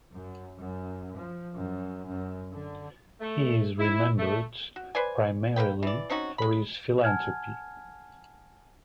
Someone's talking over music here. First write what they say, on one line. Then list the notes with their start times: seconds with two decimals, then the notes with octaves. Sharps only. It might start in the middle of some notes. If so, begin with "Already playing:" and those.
He is remembered primarily for his philanthropy.
0.13 F#2
0.60 F#2
1.18 F3
1.57 F#2
2.08 F#2
2.53 D3
3.20 A3
3.79 E4
4.19 A3
4.76 F#4
4.95 B4 C5 D5 G#5
5.56 A#3 C#4 B4 G5
5.83 E3 D5
6.10 C4 C#4 D#4 F#4
6.38 G#3 B5
7.04 F#5 G#5 A5 F6 G#6